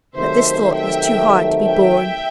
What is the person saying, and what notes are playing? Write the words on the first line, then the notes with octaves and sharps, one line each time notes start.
But this thought was too hard to be borne.
C3 D#3 F#3 A3 C5 E5
E5 G5
E5 G5